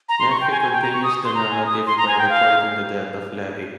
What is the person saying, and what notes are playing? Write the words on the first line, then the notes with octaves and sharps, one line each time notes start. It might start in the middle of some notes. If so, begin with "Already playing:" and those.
Nephi continues the narrative by recording the death of Lehi.
A#5
C6
C#6
G5
G#5
G#5
G5
A#5
C#6
D#6
C6
A#5
G#5
D#6
C6
A#5
G#5
G5
F5